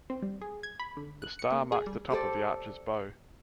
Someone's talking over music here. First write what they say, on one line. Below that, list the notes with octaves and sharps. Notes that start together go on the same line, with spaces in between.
The star marks the top of the Archer's bow.
C4
G3
G#4
G#6
B5
D3
F#6
C#7
A#3
G#4
G3
G4 A4 C5 D5